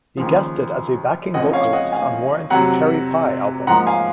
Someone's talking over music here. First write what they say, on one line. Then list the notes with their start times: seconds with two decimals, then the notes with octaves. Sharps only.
He guested as a backing vocalist on Warrant's "Cherry Pie" album.
0.17 D#2 C#3 F3
1.34 F2 C#3 F3 D#5 F#5
1.53 C#5 F5
1.73 D#5 F#5
1.92 F5 G#5
2.50 F2 C3 F#3 F#5 A#5
3.67 G#2 F3 A#3 F#5 A#5
3.87 F5 G#5